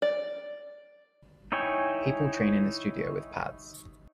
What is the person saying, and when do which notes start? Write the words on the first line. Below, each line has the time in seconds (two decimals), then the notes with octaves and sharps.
People train in a studio with pads.
0.02 D5
1.52 D#4 E4 C#5 G5 G#5